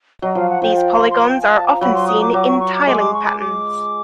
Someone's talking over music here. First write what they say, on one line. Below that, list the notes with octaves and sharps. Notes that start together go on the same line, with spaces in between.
These polygons are often seen in tiling patterns.
F#3 D#5
F3 F5
F#5
F3 G5
G5
C6
C6
G5
G#5
A5
A#5
F#3 B5
C6
D#6
D6
F#3 D6
C#6
C#6
D6
G#3 D6
D6
C#6
D6
D6